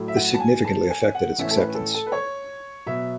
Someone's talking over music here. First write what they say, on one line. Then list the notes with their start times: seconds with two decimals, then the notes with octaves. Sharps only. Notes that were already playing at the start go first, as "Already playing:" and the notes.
This significantly affected its acceptance.
Already playing: A2 F#3 A3
0.08 E5
0.16 F#5
0.34 A5
0.40 G#5
0.64 A5
0.90 G#5
1.15 F#5
1.38 A2 E3 A3 C#4 E5
1.51 A4
1.57 B4
1.75 A4
1.94 A4
2.07 B4
2.12 C#5
2.86 B2 F#3 B3 E5